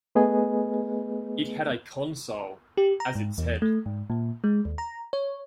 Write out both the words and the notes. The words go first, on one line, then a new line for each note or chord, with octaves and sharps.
It had a consul as its head.
A3 B3 G#4 B4 D#5 G#5
G4
A#5
G#2
E2
A3
G#2
A#2
G#3
D#2
A#5
C#5